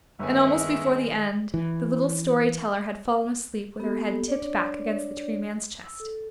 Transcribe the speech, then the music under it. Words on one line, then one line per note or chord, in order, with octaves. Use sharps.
And almost before the end the little story teller had fallen asleep with her head tipped back against the Tree Man's chest.
G1 D#3 G#3 B3 E5 G#5
E3
A#3 B3 G4 A4
D4 C#5 D5
E6
A4